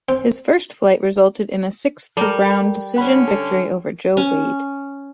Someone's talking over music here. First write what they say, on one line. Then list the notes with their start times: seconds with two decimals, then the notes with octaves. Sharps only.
His first fight resulted in a sixth-round decision victory over Joe Wade.
0.09 C4
2.17 G3 A4 A#4
2.96 D3 C#4 F#5 B5
3.28 A4
4.17 C#4